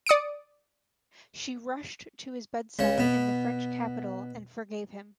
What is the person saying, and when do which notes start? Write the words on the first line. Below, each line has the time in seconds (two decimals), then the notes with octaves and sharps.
She rushed to his bedside in the French capital and forgave him.
0.06 D5 D#6 C#7 D7
2.79 C#2 C#3 C#5
2.98 B2 B3